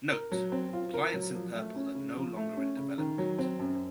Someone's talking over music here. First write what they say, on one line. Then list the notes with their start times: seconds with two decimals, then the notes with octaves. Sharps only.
Note: Clients in purple are no longer in development.
0.12 A#4
0.32 F#3
0.52 C4
0.73 F4
0.94 A#4
1.14 F#3
1.35 F3
1.54 A3
1.76 C#4
1.95 C#3
2.16 F3
2.36 A3
2.57 C#4
2.77 C#3
2.98 D#3
3.18 F#3
3.39 C4
3.59 F#2